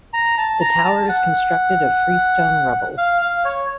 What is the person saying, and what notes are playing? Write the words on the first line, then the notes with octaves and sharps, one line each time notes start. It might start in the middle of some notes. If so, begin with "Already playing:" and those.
The tower is constructed of freestone rubble.
A#5
A5
A#5
A5
F#5
F5
F5
C#5